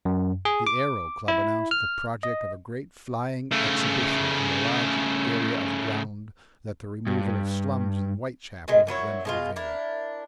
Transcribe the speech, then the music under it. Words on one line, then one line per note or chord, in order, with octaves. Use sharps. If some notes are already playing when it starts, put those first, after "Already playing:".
The Aero Club announced the project of a great Flying Exhibition in a large area of ground that the removal of slums in Whitechapel had rendered available.
F#2
G#4
D6
E4
F6
D#5
C#3 A3
G2
B2 D#3 G#3
A#2 F#3 E4 C#5
B2 G#3 F4
D4 E4 A#4